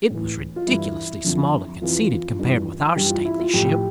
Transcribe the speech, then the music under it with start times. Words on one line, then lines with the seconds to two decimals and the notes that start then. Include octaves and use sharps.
It was ridiculously small and conceited, compared with our stately ship.
0.10 A2 E3
0.56 F4
0.67 G2 E3 E4
1.24 F2 D3 F3
1.82 F2 E3 F4
2.39 G2 E3
2.96 G2 E3 G4
3.10 F4
3.25 E4
3.39 F4
3.53 A2 F3 G4